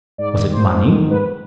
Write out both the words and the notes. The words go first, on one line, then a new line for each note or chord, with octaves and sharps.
Was it money?
G#2 D5
D#3
G#2 C5
G#2
D#3
G#2 B4